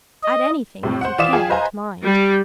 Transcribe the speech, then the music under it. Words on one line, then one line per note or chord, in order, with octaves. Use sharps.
Add anything if you can to mind!
D#5
A2 C3 G3
C5 F#5
E3 D5 F5 D#6 B6 E7
F4 G#4 F5 G5 G#5
B4 C5 D#5 F5 G#5 A#5
G3